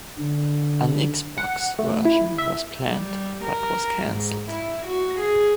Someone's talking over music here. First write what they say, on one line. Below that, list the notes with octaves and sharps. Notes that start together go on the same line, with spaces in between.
An Xbox version was planned, but was cancelled.
D3
F#5
A3
E4
E5
G3
A#4
G#2
E4
F#4
G#4